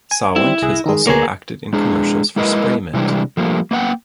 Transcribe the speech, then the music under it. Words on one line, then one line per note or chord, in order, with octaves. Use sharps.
Sawant has also acted in commercials for Spraymint.
G#5
G3 C4 D#4 E4
C2 G#4 E6 F#6 A#6
D#3 G#3 D#4 G#4
D2 A#3 G#4 A#4 B4 C#5 A#5 D6
G#3 D4 G#4
G#3 E4 A#4 B4 D#5
C3 E3 G3 G#3 D4
F3 G3 A3 A#3
A#3 B3 E5 F#5 G5